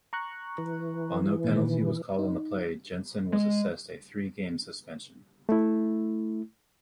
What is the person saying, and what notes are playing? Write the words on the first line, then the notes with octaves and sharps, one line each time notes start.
While no penalty was called on the play, Janssen was assessed a three-game suspension.
A#5 C#6 F#6
E3
A#2 D#3
D#4
G#3
A3 E4